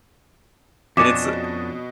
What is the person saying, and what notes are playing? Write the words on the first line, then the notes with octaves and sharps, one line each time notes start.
and it's uh,
F2 B2 C#4 D4 D#5 D6 E7